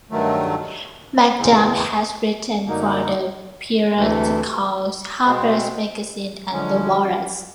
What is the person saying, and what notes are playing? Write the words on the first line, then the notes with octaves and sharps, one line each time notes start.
McAdam has written for the periodicals "Harper's Magazine" and "The Walrus".
G2 D#3 F#3 A3
E2 C#3 E3 G#3 C4
F#2 D3 F#3 A#3 D#4
D2 C3 E3 A3
B2 G#3 C4
D3 F3 G#3 C#4